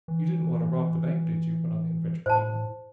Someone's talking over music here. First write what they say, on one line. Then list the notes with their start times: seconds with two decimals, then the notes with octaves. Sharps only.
"You didn't want to rob the bank, did you?" went on the inventor, keenly.
0.08 E3
2.26 A2 C5 A5